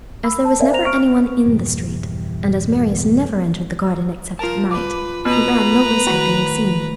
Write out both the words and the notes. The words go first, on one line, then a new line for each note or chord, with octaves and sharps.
As there was never any one in the street, and as Marius never entered the garden except at night, he ran no risk of being seen.
B5 E6
A5
A#4 C#5 D5 E5 F5 G#5
C5 A#5 A#6 F7
C#6 F6 D7
F2 G#2 B2 E3 G3
F4 A#4 A5
B4 D6
B2 B4 A#5
A2 D#3 F#4 B5